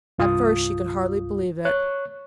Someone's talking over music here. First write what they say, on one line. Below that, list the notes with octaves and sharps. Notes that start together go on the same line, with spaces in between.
At first she could hardly believe it.
C2 G2 F4 D#6
C#5 C#6 F#6